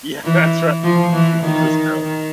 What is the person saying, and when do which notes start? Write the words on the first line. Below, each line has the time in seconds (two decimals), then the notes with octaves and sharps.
Yeah, that's right, and people, just, go.
0.24 E3
0.83 F3
1.13 E3
1.43 D#3
2.01 D#3